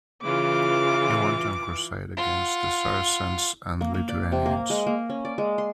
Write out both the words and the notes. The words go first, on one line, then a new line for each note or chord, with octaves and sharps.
He went on crusade against the Saracens and the Lithuanians.
C#3 E3 F4 D6
F4 F#5
A#3
A#3
D5
C3
A#3
G#3
A#3
C#4
D5
G#3
C6